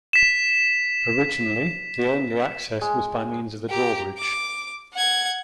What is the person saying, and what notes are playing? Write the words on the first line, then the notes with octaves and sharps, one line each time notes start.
Originally, the only access was by means of a drawbridge.
B6 E7
G#3
G4 A#5
D6
F#5 G#6